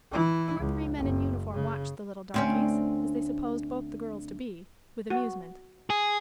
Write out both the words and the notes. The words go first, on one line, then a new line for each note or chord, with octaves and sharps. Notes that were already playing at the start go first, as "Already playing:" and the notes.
Two or three men in uniform watched the little "darkies," as they supposed both the girls to be, with amusement.
E3 E4
C#2
F#1
C#3
D2 C4 C#4
F#4
G#4